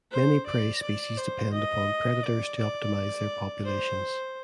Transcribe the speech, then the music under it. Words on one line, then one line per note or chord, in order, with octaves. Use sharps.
Many prey species depend upon predators to optimize their populations.
C5
D5
D5
C5
D#5
D5
D5
C5